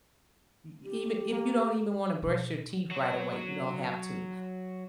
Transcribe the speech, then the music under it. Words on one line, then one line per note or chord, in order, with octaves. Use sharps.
E even if you don't even wanna brush your teeth right away, you don't have to,
G4
A#3
B2
F#3 F#4